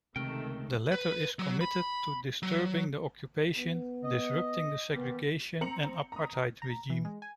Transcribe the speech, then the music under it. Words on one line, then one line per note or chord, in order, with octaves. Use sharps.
The latter is committed to 'disturbing the occupation, disrupting the segregation and apartheid regime'.
C#2 C3 D#3 A3 A#4 G5
B4
F#3
B5
F#3
B3
D#5
D#3 E3 G3 B3
C4 A#5 C#7 F7 F#7
A#5 D#6
A#5
E3
G#3
G#5